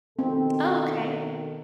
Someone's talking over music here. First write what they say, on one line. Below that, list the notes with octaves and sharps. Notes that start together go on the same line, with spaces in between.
Oh, okay.
B2 D#3 C4 A4